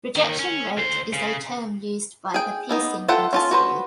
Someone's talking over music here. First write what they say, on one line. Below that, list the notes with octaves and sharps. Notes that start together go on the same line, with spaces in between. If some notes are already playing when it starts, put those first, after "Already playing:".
Rejection rate is a term used by the piercing industry.
D#2 D#3
C#4
D2 C5
C#3
G#4 G5
A#3 B3 D#4
F4 A4 E5 F#5 G5
C#4 F4 A5
F#4 B4 C5